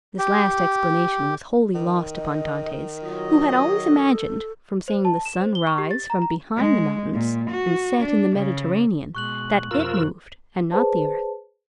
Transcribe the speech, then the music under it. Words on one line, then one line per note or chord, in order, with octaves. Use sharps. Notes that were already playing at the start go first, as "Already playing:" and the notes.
This last explanation was wholly lost upon Dantes, who had always imagined, from seeing the sun rise from behind the mountains and set in the Mediterranean, that it moved, and not the earth.
G4
D#3
D#5
F#3 F4 D#5
A4
C5
A5
E7
C5
G7
C#6
G4
A6
A#5
A#5
G#3
A#2
F#4
D4
C#3
B2 G#3 C#6 F#6 F#7
F#2 C3 F4 A#4 E6
G#4 B4 C5 D5 A5